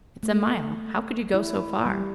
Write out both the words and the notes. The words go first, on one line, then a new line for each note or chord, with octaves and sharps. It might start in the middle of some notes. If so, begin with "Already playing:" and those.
"It's a mile, how could you go so far?"
A3
E4
G3